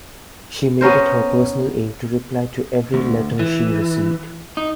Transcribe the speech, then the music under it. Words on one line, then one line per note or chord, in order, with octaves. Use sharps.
She made it her personal aim to reply to every letter she received.
B3 C#4 A#4 C5
D2
E3
D#4